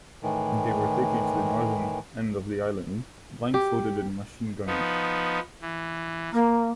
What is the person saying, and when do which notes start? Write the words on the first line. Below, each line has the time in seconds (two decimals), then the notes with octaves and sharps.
They were taken to the northern end of the island, blindfolded and machine-gunned.
0.23 A2 D#3 E3
3.54 G4
4.67 F3 B3 D#4
5.62 E3
6.32 A#3